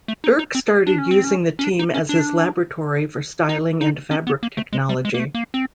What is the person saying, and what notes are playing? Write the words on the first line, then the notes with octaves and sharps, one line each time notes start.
Dirk started using the team as his laboratory for styling and fabric technology.
A3
D#4
D#4
C4
D4
C#4
C4
C#4
C#4
D4
D#4
C#4
D4
D#4
D#4
C#4
B3
A#3
A3
G#3
G3
G#3
A#3
A3
A#3
C4